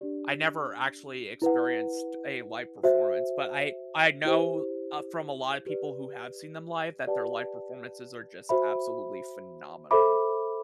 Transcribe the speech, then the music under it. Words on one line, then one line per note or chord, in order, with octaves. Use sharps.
I never actually experienced a live performance, but I I know, uh, from a lotta people who have seen them live that their live performances are just absolutely phenomenal.
D4 G4 D5
E4 B4 F#5
F#4 C5 E5
E4 G4 C5
G4 B4 D5
G4 B4 D5 F#5 A5
F#4 C5 E5 B5
A4 C5 E5 B5 D6